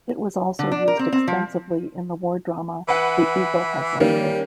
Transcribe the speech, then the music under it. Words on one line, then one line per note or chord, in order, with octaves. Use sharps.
It was also used extensively in the war drama "The Eagle Has Landed".
D3
D4
A#4
C4
C4
F3
E3 B4 F#5
D#3 G3 A#3 C#4